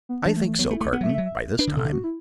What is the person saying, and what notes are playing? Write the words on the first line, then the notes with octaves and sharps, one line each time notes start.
"I think so, Carton, by this time."
B3
E3 D4
A3
A3
F#3 B3
A3
E4
A3
B3 F#5
F#3 E5
A3
E5
F#3
E5
D4 B4
D3
B2 A4
D3
F#4
E4